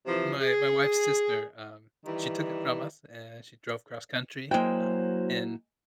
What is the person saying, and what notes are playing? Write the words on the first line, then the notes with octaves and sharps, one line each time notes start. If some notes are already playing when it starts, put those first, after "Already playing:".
my my wife's sister, um, she took it from us, uh, she drove cross country, um, and
C3 E3 F3
G#4
D#3 E3 G3
F#3 G#3 A#3 E4 F#4 C5 G5